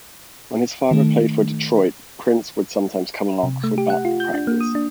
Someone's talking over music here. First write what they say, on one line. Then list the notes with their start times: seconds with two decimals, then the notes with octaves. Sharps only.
When his father played for Detroit, Prince would sometimes come along for batting practice.
0.91 D#3 A3
3.43 C3
3.64 A3
3.78 G4
3.90 F#5
4.05 F4
4.20 G6
4.34 D4
4.47 A#3
4.61 D#6
4.75 D4